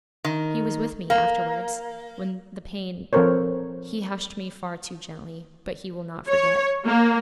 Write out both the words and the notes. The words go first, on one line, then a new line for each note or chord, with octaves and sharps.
He was with me afterwards, when the pain--He hushed me far too gently, but he will not forget.
D#3
A#3
F3 C4 A4 A#4 C5 C#5
C#5
A#3